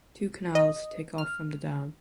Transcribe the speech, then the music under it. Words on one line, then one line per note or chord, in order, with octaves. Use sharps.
Two canals take off from the dam.
D#5
F6